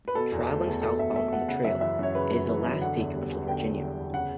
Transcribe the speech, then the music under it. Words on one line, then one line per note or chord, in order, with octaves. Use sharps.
Traveling southbound on the Trail, it is the last peak until Virginia.
B4
B2 A4
E2
A3
E2
B2 A4
E2 E5
A3 E5
E2 F#5
C#3 F#5
F#2 E5
E3 E5
F#2 C#5
C#3 B4
F#2
E3
F#2
D3 F#5
E2
G3
E2
D3 G5
E2
G3
E2
C#3 F#5